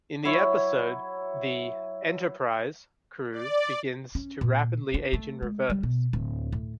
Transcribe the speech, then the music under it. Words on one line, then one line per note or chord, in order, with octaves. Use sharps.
In the episode, the "Enterprise" crew begins to rapidly age in reverse.
F#3 E4 C#5
D5
C#4
A#2
D4
A3
G#3
G3
B2
D1
A2